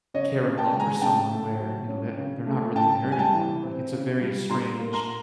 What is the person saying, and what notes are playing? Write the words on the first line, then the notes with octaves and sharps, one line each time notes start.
care and love for someone where, you know, that they're not really there anymore? Like, it's a very strange
C#3 C#5 D#5
C#3
G5 A5
G#3
G#5 A#5
C#3 G5 A5
A3
F#3
C#4
C#3
A3
C#3 G5 A5
G3
G#5
G5 A5
E3
C4
C#3
G3
A#2 A#5 C6
A#3
A#5 C6